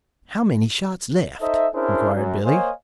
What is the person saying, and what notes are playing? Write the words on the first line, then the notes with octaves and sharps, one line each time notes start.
"How many shots left?" inquired Billy.
D#4 A4 C5 D#5 E5
C#4 D4 E4 G#4 A#4 C5
F#2
A#3 C5 C#5 D#5 F5 G#5